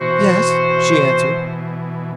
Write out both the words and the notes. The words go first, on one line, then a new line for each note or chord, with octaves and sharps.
"Yes," she answered.
B2 E3 F#4 C5